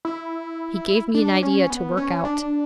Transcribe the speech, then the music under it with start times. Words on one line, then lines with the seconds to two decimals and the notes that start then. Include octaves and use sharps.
He gave me an idea to work out.
0.05 E4
1.15 D4
1.43 C#4
1.70 B3
1.97 C#4
2.25 D4